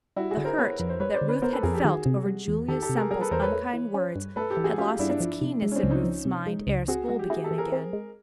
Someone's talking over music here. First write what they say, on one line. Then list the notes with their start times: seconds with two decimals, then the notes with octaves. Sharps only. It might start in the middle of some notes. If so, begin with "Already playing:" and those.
The hurt that Ruth had felt over Julia Semple's unkind words had lost its keenness in Ruth's mind ere school began again.
0.16 G3 E4 F#4
0.31 F#4 G#4
0.37 D3
0.44 A#4 C5
0.58 B3 B4 C#5
0.78 F2 B4
0.89 C5
1.00 G3 B4 C#5
1.14 C5 D5
1.21 D3
1.28 B4 C#5
1.42 B3 A#4 C5
1.52 A4 B4
1.63 F2 G#4 A#4
1.73 G4 A4
1.84 D#3 F#4 G#4
2.06 C3
2.26 G3
2.48 E2
2.68 D#3 G4 A4
2.82 G4 A4
2.89 C3
2.96 G#4 A#4
3.11 G3 G#4 A#4
3.21 A4 B4
3.31 E2 A#4 C5
3.42 B4 C#5
3.52 A3
3.73 E3
3.94 C#4
4.15 G2
4.36 A3 A4 B4
4.50 G4 A4
4.57 E3
4.64 F#4 G#4
4.78 C#4 F4 G4
4.99 G2 D4 E4
5.10 D4 E4
5.20 F3
5.41 C3
5.62 G#3
5.72 C#4
5.76 C4 D4
5.83 C#2
5.90 C#4 D#4
6.04 F3
6.25 C3
6.46 G#3
6.67 C#2
6.88 C4 F#4 G#4
7.08 G#3 F#4
7.19 G4
7.30 E4 F#4 G#4
7.44 G4 A4
7.51 E3
7.58 G#4 A#4
7.72 C4
7.93 G#3